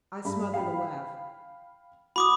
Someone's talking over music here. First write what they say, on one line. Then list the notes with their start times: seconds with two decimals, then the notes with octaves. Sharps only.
I smothered a laugh.
0.25 G2 B5
0.54 F5 G5 B5
2.16 F#4 B5 D6 D#6